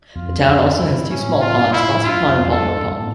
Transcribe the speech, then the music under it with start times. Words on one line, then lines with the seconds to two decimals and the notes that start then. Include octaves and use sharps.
The town also has two small ponds, Foster Pond and Palmer Pond.
0.16 F2 F4
0.48 F2 F4
0.78 G2 E4
1.10 A2 C#4
1.34 A2
1.41 F4
1.58 G2
1.72 E4
1.81 A2
2.04 G2 F4
2.27 F2
2.51 F2 A4
2.75 G2
2.98 A2